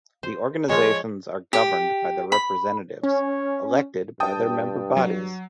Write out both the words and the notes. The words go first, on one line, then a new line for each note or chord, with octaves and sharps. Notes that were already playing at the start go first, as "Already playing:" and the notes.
The organisations are governed by representatives elected by their member bodies.
C5
F3 G#3 C#5
G4
B5
C#4 C#5
G2 G5 A5 D#6
F#3